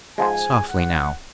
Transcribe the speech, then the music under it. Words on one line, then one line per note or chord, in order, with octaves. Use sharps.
Softly now.
G#2 F3 G#3 G#5
F#5